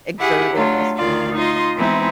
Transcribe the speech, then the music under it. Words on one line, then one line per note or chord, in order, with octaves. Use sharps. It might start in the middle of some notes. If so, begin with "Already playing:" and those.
exertive, as far
E4 G4 G#4 F#5
F#3 A3 D4 F4
D2 D#3 F4 D5 F5
D#4 F4 D#5 C6
E3 G#3 B3 C4 D#4 E4